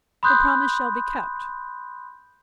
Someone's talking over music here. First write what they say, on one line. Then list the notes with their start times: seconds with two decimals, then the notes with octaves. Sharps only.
'The promise shall be kept.
0.23 B5 C6 D#6 F#6 G6